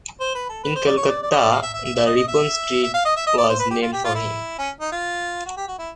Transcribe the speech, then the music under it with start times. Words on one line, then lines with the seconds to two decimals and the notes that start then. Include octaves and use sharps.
In Calcutta, the Ripon Street was named for him.
0.20 C5
0.35 B4
0.49 A4
0.64 B4
0.75 C5
0.87 D5
0.97 C#5
1.08 D5
1.23 D5
1.31 D#5
1.36 D5
1.51 F5
1.62 E5
1.73 E5
1.85 E5
1.95 E5
2.06 D#5
2.17 D#5
2.28 E5
2.83 E5
2.94 F5
3.05 D#5
3.17 E5
3.26 D#5
3.38 D5
3.49 C5
3.59 B4
3.71 G4
3.82 F4
3.93 G4
4.04 F4
4.15 E4
4.58 C#4
4.81 D#4
4.92 F4
5.46 F#4
5.57 G4
5.68 F#4
5.79 E4